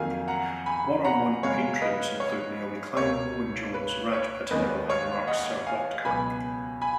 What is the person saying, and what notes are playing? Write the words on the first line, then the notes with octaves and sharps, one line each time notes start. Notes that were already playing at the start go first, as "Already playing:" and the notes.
War on Want patrons include Naomi Klein, Owen Jones, Raj Patel and Mark Serwotka.
Already playing: F2 D#3 F#3 A#3 F5 G#5
F#5 A#5
G#5 B5
F#5 A#5
F#2 C#3 G#3 C#4 C#5 F5
F5
B4 D#5
C#5
C#2 B2 A#3 C#5
B4
C#5
D#2 D#3 G#3 C#4 B4 D#5
C#5 F5
D#5 F#5
F5 G#5
C#2 B2 F#3 B3 G#5 B5
G#5 B5